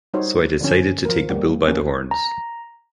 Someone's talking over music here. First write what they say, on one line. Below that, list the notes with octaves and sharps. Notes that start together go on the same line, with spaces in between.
So I decided to take the bull by the horns.
G3 D#4 F#4 C5 C#5
D3 F3 C#4
F3 A#4
G3 A#3
E3 A#3 C#4
A#5